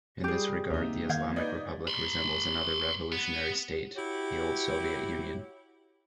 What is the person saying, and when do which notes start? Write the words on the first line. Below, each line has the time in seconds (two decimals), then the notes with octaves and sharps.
In this regard the Islamic Republic resembles another revolutionary state, the old Soviet Union.
0.24 G3 G4 G#4
0.70 D#2 C3 A#3 D#4
1.09 D#3 F5 G6 G#6
1.36 D#4 B4 D5 D#5
1.88 B5 C6
3.12 B3
3.96 E4 F#4 G4 C#5